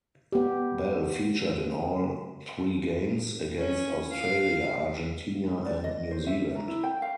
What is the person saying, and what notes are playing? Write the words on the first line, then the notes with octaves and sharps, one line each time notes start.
Bell featured in all three games, against Australia, Argentina and New Zealand.
B3 G4
C#4
F5
D5
D#5
C5
E5
A#5
E4
G5
F5